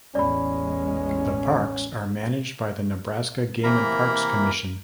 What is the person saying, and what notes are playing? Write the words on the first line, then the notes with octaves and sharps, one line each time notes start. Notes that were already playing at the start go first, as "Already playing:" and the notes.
The parks are managed by the Nebraska Game and Parks Commission.
A1 E2 G#3 C#4 D5 B5
C3 E3 A#3 A#4 A#5 B5